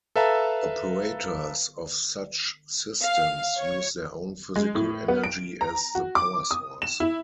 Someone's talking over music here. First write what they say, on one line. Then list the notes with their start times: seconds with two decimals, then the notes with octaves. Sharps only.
Operators of such systems use their own physical energy as the power source.
0.16 A4 B4 E5 F5 A5 A#5
3.03 F5
3.60 C#5
4.56 G#3
4.75 A2
5.08 B3
5.24 D7
5.61 A#5
5.95 F#4
6.15 D6
6.51 D#6
6.82 E7
7.00 E4